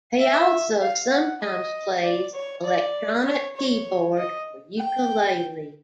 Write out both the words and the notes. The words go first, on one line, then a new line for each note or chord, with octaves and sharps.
He also sometimes plays electronic keyboard or ukulele.
E5
F5
F#5
D#5
D5
C#5
D5
C#5
C#5
D#5
G5